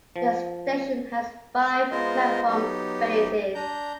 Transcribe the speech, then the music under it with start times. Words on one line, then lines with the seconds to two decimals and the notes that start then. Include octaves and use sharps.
The station has five platform faces.
0.16 F3
1.91 G#3 B3 F4 A#4 C5 D#5
2.47 F#3 B3 D#4 G4
3.55 D4 A#5 G6